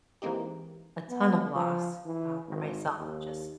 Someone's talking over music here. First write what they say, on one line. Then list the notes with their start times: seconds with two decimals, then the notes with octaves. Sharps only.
a ton of loss, uh, for myself, just
0.22 E3 G#3 A#3 C4 D#4 G4
1.10 B3
1.56 F3
2.06 E3
2.48 G#1
2.99 D#2